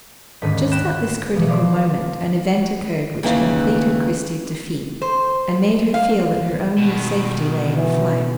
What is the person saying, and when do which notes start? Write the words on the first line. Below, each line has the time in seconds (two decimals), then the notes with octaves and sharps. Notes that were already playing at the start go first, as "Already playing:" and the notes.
Just at this critical moment an event occurred which completed Christie's defeat, and made her feel that her only safety lay in flight.
0.42 D#1 G#2 D3 A4 D#5 B6
0.71 G5 B5 F#6 A#6 D7 E7
1.35 B2 E3 F3 B3
1.48 F3 B4 C5 D5 F5 A#6
3.23 D#2 C#3 E3 A#3 D#4
5.02 C5
5.94 F5
6.78 B2 D#3
7.77 E3